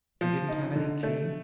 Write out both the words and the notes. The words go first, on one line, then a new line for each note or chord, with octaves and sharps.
"You didn't have any key?"
F3
D#4
D3
A3